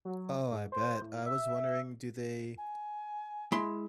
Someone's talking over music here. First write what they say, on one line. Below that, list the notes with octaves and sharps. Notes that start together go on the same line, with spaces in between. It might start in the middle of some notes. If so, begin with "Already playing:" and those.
Oh, I bet, I was wondering, do they,
F#3
G#2
C5
A2
E5
G#5
G#3 E4 C6